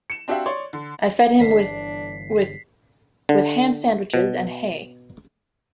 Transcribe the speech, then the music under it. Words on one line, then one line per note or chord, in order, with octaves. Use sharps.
I fed him with—with—with Ham-sandwiches and Hay.
C#7 E7
C4 D4 F#4 G4 E5 F5
C#5 D5 C6
D3
G1 D3 E3 D4 B6 C7
D3
B2